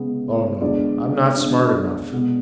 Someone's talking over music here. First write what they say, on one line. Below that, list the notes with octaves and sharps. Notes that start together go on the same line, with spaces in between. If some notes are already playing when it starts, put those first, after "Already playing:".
"Oh, no, I 'm not smart enough."
Already playing: C#3 G#3 B3
D3 G#3 B3 D5
D3 G#3 B3
B2 G#3 B3